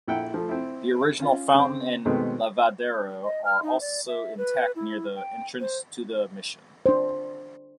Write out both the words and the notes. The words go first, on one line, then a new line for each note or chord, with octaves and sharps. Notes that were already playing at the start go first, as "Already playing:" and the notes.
The original fountain and "lavadero" are also intact near the entrance to the Mission.
A#1 E4 A4 F#5 G5
F3 A3
C4 E4
C#4 F4
C#3 C4
B2 D#3 G#3 A3 B3 C4
D#5
F6
D#4
D5
E5
B4
E4
G5
C5
D4 C5